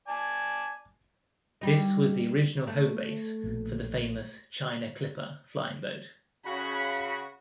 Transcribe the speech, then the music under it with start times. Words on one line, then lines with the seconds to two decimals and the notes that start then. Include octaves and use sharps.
This was the original home base for the famous China Clipper flying boat.
0.08 D5 G#5 A5
1.61 G3 D#4
2.67 A3
3.44 A#1 B2
6.46 C#3 F#4 B5